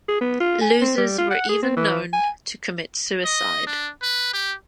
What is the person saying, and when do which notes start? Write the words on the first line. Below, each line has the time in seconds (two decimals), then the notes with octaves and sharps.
Losers were even known to commit suicide.
0.09 G#4
0.21 B3
0.41 F4
0.62 G#5
0.82 C4
0.98 G3
1.18 F4
1.31 F#5
1.49 G#4
1.63 C4
1.77 E3
2.13 G#5
3.24 D#5
3.67 D4
4.03 B4
4.34 G4